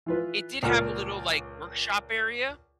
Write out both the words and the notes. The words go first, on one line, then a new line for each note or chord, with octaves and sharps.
It did have a little, like, workshop area
E3 F4 B4
C#2 A#2 F4 A#4 G#5 F6